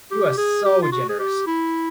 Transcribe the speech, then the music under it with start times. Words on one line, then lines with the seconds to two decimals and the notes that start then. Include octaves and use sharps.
You are so generous!
0.12 G4
0.38 G#4
0.66 G4
0.83 F4
0.92 F#4
1.09 G#4
1.20 G4
1.47 E4